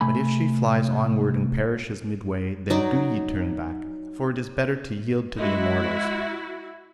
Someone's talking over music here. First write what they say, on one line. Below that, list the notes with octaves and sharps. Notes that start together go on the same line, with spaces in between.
But if she flies onward and perishes midway, then do ye turn back; for it is better to yield to the immortals.
C3 A3 G#5 B5
F#3 D#4 D5
G#3 E4 F#4